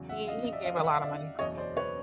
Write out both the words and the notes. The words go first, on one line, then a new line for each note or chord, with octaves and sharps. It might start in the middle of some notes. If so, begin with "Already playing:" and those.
he he gave a lotta money.
Already playing: E2 C#3 F#3
E5 F#5
D#5 F5
D#5
D5 E5
D#5 F5
E5 F#5
F5
D5 E5
F#1 E2 B2 C#5 D#5
C5 D5
B4 C#5